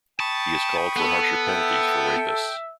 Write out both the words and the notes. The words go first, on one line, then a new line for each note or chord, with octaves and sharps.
He has called for harsher penalties for rapists.
G5 A5 B5 C#6 D#6
B3 A4
E5 G5